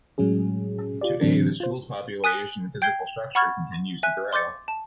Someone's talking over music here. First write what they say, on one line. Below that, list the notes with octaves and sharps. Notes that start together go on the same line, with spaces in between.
Today, the school's population and physical structure continues to grow.
A2 F#3 G#3 C#4 G#4
F4 G4 D5
A2 D3 E3 F#3 C4 D4
F4 C5
G#5 D#6 F#6 B6
G5 G6 G#6 C7 G7
F#5 B5 C#6 F6 G#6 A6
E5 G#5 F#6
C6 D6 G6 A6 C#7
A5